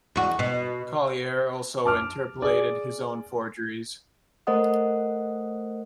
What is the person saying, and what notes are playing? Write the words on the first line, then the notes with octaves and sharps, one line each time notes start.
Collier also interpolated his own forgeries.
E2 F#4
B2
A5 D6 F6
G#4 D5
A3 A#4 C5 D#5 F#5 D#6